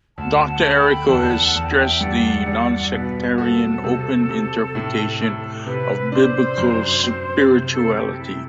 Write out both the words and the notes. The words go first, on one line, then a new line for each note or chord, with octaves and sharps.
Doctor Errico has stressed the nonsectarian, open interpretation of Biblical spirituality.
D2 F#5 A5
F#5 A5
A3
G5 B5
E2 F#5 A5
E2 A5
G5
F#5
E5 G5
G2 D5 F#5
G2
B2 B4
F#4 A4
C3
C3
A2
A2
C3 B4
D4 C5
F#2
C4
C3 C5
A4
C3 G4
E4